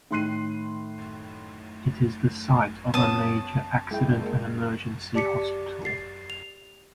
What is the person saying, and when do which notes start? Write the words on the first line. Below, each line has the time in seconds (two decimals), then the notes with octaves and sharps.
It is the site of a major Accident and Emergency hospital.
0.11 A2 D#3 C6 F#6 C7 D#7
2.94 B3 C#4 C#5 A5 D#6
3.91 G#3 E4 G5
4.08 D4
4.22 G#3 A#3
5.14 G4 D5 A5 D6 B6 C#7
5.85 A6 C7
6.30 F7